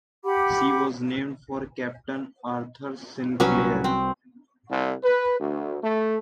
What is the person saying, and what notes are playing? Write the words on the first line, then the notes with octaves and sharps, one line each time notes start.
She was named for Captain Arthur Sinclair.
G4 F#5 B5 D6
C2 F#3 C#4 B4
C4
C2
B4
D2
A3